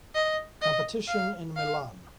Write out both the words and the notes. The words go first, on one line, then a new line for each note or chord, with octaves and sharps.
Competition in Milan.
D#5
D#5
F5
F5